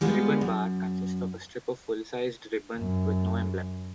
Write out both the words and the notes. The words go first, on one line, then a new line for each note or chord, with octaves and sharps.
The ribbon bar consists of a strip of full-sized ribbon with no emblem.
G3 G#3 B3 F4
F#2
F#2